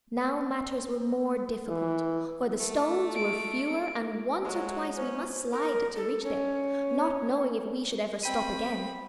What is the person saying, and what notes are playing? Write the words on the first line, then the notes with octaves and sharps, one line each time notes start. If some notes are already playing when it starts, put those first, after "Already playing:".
Now matters were more difficult, for the stones were fewer and once or twice we must slide to reach them, not knowing if we should ever stop again.
E3
A3
D7
F#3 G#3
C#4 C5
A#4
A4
C#4
C4 G5 B5 D#7